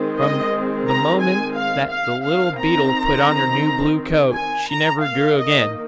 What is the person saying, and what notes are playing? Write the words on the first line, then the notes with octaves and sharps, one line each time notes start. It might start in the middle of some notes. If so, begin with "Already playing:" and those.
From the moment that the little beetle put on her new blue coat she never grew again.
Already playing: D#3 G#3 C4
D#5
A#5
G#5
F5
F5
D#3 C4 F5
A#5
G#5
A#5
D#3 A#3 F5
D#5